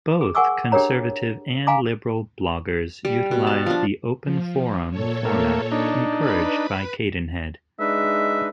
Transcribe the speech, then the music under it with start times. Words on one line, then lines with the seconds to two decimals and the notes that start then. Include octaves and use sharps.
Both conservative and liberal bloggers utilize the open forum format, encouraged by Cadenhead.
0.21 G#4
0.35 A#4 F#5 G#5 C#6 D6 E6
0.72 D4 G4 G#4 A#4 C#5 A#5
1.67 F5 G#5 A#5 C6 D6
3.05 G3
3.31 B2
3.47 A5
3.66 F3 D4
4.23 F3
4.91 A#2 A4 C#5
5.25 A3 A#3
5.72 D4 D#4
6.19 B4 B5
7.80 G#3 D4 D#4 B4 E5